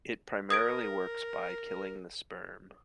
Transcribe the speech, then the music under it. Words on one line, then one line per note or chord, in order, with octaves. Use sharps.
It primarily works by killing the sperm.
A#4 D#6 G#6 D7